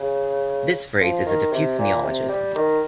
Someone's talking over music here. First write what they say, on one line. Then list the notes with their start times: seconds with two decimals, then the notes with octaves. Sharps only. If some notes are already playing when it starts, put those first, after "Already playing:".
This phrase is a diffuse neologism.
Already playing: C#3
1.00 F3
1.26 D#3
1.52 C3
1.78 A#2
2.03 C3
2.29 G3
2.55 D#3